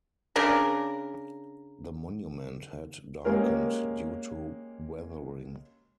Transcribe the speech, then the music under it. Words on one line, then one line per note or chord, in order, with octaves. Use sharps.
The monument had darkened due to weathering.
C#3 D4 A#4
G#3 A#3 C#4 G4 G#4 A#4